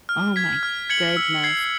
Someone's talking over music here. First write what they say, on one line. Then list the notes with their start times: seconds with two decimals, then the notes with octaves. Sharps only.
Oh my goodness.
0.09 F6
0.36 G#6 B6
0.63 F6
0.90 G#6 C#7 F#7
1.17 E6
1.44 G#6 C7